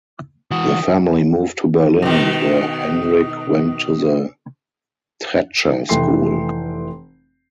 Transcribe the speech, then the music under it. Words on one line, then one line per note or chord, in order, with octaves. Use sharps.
The family moved to Berlin, where Henrik went to the Tretscher School.
E3 F#4 D#6
B2 D#3
F1 E3 A3 G5 C6 C7